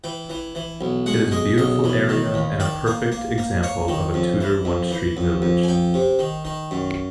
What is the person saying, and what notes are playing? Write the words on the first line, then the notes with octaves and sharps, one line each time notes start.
It is a beautiful area and a perfect example of a Tudor one-street village.
E3 G5
E3
E3
B1
G#3 F#5
G#3 D#5
B1 D#5
E3
D#3
D#2
D#3 D5
A#3
A#3
A#3
A#3 C#5
D#3
F2
E3
F2
E3
F2
F2
G#5
F2 G5
C3
D#3
D#3
F#2